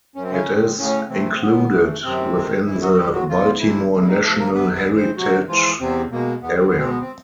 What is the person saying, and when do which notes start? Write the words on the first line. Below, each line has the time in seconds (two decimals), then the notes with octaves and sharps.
It is included within the Baltimore National Heritage Area.
0.15 F#2 C#4
0.23 C4
0.31 C#3 C#4
0.47 D#3 G#3
0.78 A2 C#3 C#4
1.09 C3 E3 A3 C4
1.34 C4
1.40 A2 B3
1.72 E3 A3
2.03 F#2 C3 C4
2.35 D#3 G#3
2.66 F#2 E3 E4
2.81 F#3 F#4
2.93 F#4
2.97 D#3 G3 G#3 G4
3.13 F#3 F#4
3.29 E2 F3 F4
3.60 C3 E3 F3 E4
3.91 E2
4.01 E4
4.07 D#3 D#4
4.23 C3 F3 A3 A4
4.39 A#3 A#4
4.54 C3 B3 B4
4.75 B3 B4
4.86 E3 G#3
4.96 C4 C5
5.17 C3 F#3 F#4
5.48 E3 F3 G#3 F4
5.80 E2 C3 C4
6.11 B2 G#3 A#3
6.42 E2 B3
6.55 C4
6.66 B3
6.74 B2 G#3 C4
6.89 B3
7.00 C4